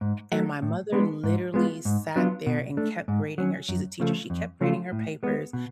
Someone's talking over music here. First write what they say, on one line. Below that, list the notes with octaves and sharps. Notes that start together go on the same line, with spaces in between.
And my mother literally sat there and kept grading her- she's a teacher- she kept grading her papers,
G#2
F#3 A3
A2
G#3 B3 D4
G#2
G#3 B3 F4
G#2
F#3 B3 D4 F4
B2
A3 D4
G#2
F#3 C#4
F#2
C#3 F3 A3
F2
C#3 F3 A3 F4
A2
G#3 B3
B2